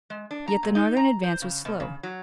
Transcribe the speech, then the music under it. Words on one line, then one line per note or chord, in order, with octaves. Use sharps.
Yet the Northern advance was slow.
G#3
D4
A#5
A#2
D#4
A#5
C5
C#3
B2
C#3
F#3